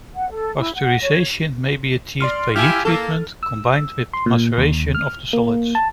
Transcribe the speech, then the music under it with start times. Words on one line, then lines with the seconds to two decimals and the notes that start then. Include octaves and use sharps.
Pasteurisation may be achieved by heat treatment combined with maceration of the solids.
0.16 F#5
0.30 A4
0.59 E4
0.75 F#5
1.02 C#5
2.21 D5 C6 F6
2.56 E4 F4 G4 G#5 E6 F6
2.85 A#3 A4
3.43 E6
4.13 C6
4.26 A#2
4.58 D#2
4.95 F6
5.33 A#3
5.75 A5